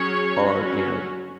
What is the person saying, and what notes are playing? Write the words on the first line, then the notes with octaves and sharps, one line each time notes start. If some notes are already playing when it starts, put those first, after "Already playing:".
or, you know
Already playing: F#3 C#4 G#4 C#5
F#3 C#4 F#4